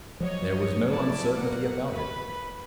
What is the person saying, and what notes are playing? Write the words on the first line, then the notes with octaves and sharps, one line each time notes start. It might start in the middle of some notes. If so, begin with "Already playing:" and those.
There was no uncertainty about it.
F3 F#3 C#5 D#5
E4 D5 A5
A#3 F#5
B4 B5